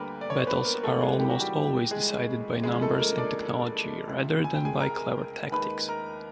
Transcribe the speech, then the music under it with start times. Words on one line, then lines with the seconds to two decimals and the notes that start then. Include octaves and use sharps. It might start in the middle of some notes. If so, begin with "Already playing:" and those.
Battles are almost always decided by numbers and technology rather than by clever tactics.
Already playing: D2 D3 G3 A#3 A#4 B4
0.21 D5
0.30 C#5
0.39 C5
0.47 B3 B4
0.65 A#3 A#4
0.83 A3 A4
1.01 G#3 G#4
1.19 D#2 C#3 E3 G4
1.30 F#4
1.40 G3 G4
1.91 G#3 G#4
2.63 E2 C#3 F3 G#3 G#4
2.82 A3 A4
2.99 A#3 A#4
3.18 D4 D5
4.08 C#2 C3 F3
4.44 G#5
4.55 G5
4.65 G#4 G#5
4.80 A#4 A#5
5.52 D#2 D#3 G#3 B4 B5
5.89 A#4 A#5